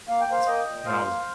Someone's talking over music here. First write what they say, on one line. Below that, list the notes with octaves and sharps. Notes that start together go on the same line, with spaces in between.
s when I was
A#3 F5
G5
A#3 C5 F5
A#3 D#5 G5
A#2
A#2 C5 F5
A#3